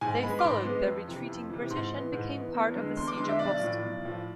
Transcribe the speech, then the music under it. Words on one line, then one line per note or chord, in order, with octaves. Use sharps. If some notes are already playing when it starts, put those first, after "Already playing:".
They followed the retreating British, and became part of the Siege of Boston.
G#2 G#5
G#3 B3 B5
D6
G#2 C6
G#3 B3
F2
C3 E3
F2
C3 E3
G#2 C6
E3 B3
G#2
E3 B3
E2
D3 G#3
E2 C6
D6
D3 G#3 C6
E5
B1 D5
A2 F3
B1
A2 F3